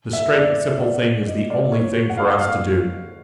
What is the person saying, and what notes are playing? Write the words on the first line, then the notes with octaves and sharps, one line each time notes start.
The straight and simple thing is the only thing for us to do.
E5
D5
D5
D#5
D5
C#5
F#5
F5
F5